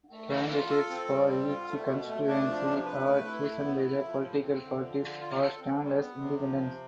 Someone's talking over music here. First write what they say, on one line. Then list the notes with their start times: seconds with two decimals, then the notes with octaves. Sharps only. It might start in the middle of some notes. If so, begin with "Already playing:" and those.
Candidates for each constituency are chosen by the political parties or stand as independents.
0.12 A3
0.31 E3
0.50 F4
0.70 A4
0.90 C4
1.09 G3
1.29 C4
1.48 F4
1.68 A3
1.87 B2
2.07 A3
2.27 D4
2.46 F3
2.66 C3
2.85 B4
3.05 A3
3.25 E4
3.44 A3
3.64 B3
3.84 E4
4.03 F3
4.22 A2
4.42 C4
4.62 D3
4.81 F3
5.01 D3
5.20 F4
5.40 A4
5.59 C4
5.79 G3
5.99 B3
6.18 C3
6.38 F3
6.57 C3